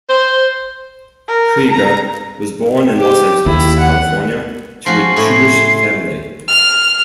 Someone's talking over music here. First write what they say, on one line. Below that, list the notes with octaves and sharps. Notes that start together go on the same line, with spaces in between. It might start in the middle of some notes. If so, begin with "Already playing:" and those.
Krieger was born in Los Angeles, California to a Jewish family.
C5
A#4
A#5
G4
D#2 E4
F#5
F3 C#4 F#4 C6
A2 E4 C#5 C6
F6